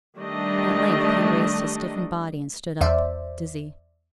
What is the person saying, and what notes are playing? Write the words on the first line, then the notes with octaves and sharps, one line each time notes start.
At length he raised his stiffened body, and stood up, dizzy.
D#3 G3 A3 D4 D#5
E2 C5 D5 E5